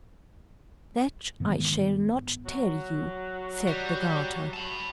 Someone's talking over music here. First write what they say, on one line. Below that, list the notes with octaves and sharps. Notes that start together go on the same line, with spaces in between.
"That I shall not tell you!" said the garter.
G#2 D#3 B3
F#3
G3
A5 B5